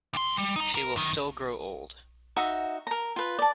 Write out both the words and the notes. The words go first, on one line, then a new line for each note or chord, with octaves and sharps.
She will still grow old.
D2 C6
G3
D#4 A#5
A#4
F#2 D#3
D#4 F#4 E5 F#5
A#4 A#5
F4 B4
D5 A5